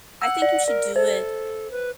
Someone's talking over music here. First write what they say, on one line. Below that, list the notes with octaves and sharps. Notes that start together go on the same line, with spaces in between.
I think you should do it,
F#5 E6
D5
A#4 D5
A4 C5
B4